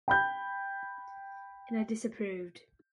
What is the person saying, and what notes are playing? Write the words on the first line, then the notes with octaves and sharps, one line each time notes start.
And I disapproved.
G5 B5 G6